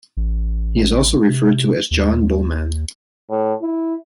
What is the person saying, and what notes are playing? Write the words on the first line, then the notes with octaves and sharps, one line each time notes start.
He is also referred to as John Boman.
A1
C3
D#2
A2
E4